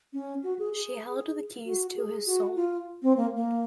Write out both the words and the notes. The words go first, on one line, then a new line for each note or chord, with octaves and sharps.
She held the keys to his soul.
C#4
F#4
G#4
G#4
F#4
G#4
F#4
F4
C4
A#3
A#3